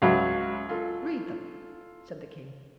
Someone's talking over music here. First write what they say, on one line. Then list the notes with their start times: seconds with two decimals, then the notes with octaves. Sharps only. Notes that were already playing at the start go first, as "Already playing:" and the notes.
'Read them,' said the King.
0.02 C#2 F#3 E5 F5 B5
0.69 F4 A4